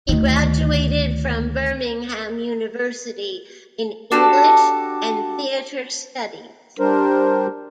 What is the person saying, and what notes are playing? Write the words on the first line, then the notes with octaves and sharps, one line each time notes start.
He graduated from Birmingham University in English and Theatre Studies.
D2 D#3
D4 F#4 G4 A4
G3 D4 A#4 C5